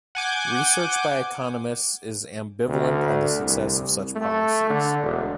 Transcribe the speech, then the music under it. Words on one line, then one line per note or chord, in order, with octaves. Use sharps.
Research by economists is ambivalent on the success of such policies.
F#5 G#5 D6 G6
D2
C2
A3
D3
E1